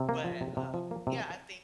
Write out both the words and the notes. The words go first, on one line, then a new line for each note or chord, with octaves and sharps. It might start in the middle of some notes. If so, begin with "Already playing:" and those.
But, um, yeah, I think
Already playing: C3
A#3
F3
C3
C3
F3
A#3
C3